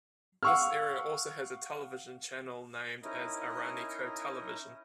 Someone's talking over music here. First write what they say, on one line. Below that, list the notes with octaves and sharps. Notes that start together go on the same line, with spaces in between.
This area also has a Television Channel named as Araniko Television.
F5 F#5 C#6 E6 F6
C#4 D#4 E4 A#4 D#5